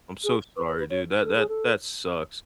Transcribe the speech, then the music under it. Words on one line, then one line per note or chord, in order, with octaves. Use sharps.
I'm so sorry, dude, that that that sucks.
G#4
B4
B4
B4
C#5
A4
G#4
A4